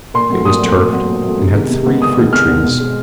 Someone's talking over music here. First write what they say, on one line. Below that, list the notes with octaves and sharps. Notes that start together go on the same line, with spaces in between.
It was turfed, and had three fruit-trees.
A#2 C6
F#3 A3 C4
A#2 D#6
F#3 A3 C4
A#2
F#3 A3 C4
A#2
F#3 A3 C4
C3
D#3 G#3 B3
C3
D#3 G#3 B3
C3 D#6
D#3 G#3 B3
C3 F6
D#3 G#3 B3
B2
G#3 C4